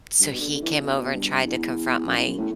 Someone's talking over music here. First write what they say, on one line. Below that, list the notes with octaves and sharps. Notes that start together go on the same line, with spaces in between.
so, he came over and tried to confront my
G2
B2
D3
D3
E3
D3
B2
B2
G2
E2
F#2
E2
F#2
A2